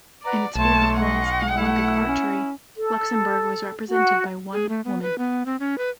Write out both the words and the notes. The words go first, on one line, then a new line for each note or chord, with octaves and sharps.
In its fourth appearance in Olympic archery, Luxembourg was represented by one woman.
B4 D5 F#5 A#5
B1 A3 C#5 A5 C6
D#5 F#5 C6 C#6
A3 E4
C#4
A4
F#4 F#5
G#4
A3
B3
B4
B3
C4
C#4
B4